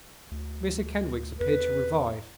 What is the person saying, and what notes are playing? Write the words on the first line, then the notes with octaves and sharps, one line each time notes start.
Mr Kenwigs appeared to revive.
D2
E2 B4